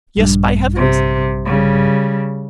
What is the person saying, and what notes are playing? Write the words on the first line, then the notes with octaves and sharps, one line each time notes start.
Yes, by heavens!
A#1 G2
C3
C#3 G3